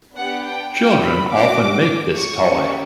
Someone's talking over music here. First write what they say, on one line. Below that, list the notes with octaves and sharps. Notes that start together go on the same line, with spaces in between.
Children often make this toy.
B3 D4 G4 F#5
G5
G5
B5
C#4 F#4 D6
C#6
A#3 C#4 G4